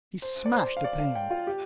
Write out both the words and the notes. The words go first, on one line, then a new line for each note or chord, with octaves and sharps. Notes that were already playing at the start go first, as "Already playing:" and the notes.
He smashed a pane.
C5
D5
C5
F5
D5
F5
G5
F4
G4